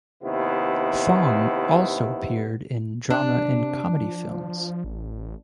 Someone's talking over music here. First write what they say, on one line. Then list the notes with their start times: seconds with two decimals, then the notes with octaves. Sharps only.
Fong also appeared in drama and comedy films.
0.22 D#2 C3 B3 E4
3.10 C3 D4
4.01 F3
4.84 A1